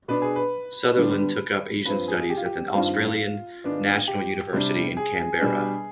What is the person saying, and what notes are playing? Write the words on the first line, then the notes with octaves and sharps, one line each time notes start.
Sutherland took up Asian studies at the Australian National University in Canberra.
B2 B3 D4 B4
G#4
B4
D3 G3 B3 D4
G2 F3 C4 B4
G#4
G4
F4
G4
G2 D#3 G3 C4 F4
G#2 D#3 B3 D4
G4
C3 G3 D4
G#4
B2 G3 D4